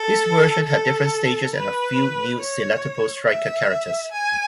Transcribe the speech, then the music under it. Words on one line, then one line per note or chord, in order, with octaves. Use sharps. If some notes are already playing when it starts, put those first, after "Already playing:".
This version had different stages and a few new selectable striker characters.
Already playing: A4
A4
B4
C#5
E5
G#5